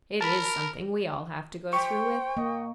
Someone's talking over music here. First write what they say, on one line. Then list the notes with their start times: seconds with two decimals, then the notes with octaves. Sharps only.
It is something we all have to go through with.
0.21 A#4 A5 B5
1.73 C5 G5 C#6
2.37 A#3 D#5